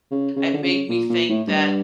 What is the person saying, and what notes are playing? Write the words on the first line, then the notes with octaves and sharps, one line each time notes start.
It made me think that,
C#3
C#3
D3
C#3
A#2
A#2
A2
G2